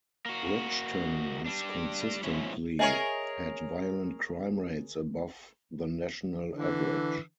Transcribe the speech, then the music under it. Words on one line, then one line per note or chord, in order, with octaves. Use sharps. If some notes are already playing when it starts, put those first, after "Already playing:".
Bridgeton has consistently had violent crime rates above the national average.
A#3 F#4
G3 D4
G#2 B2 F3 C#4 E4
G#4 A#4 C#5 D#5 E5 G#5
D3 E3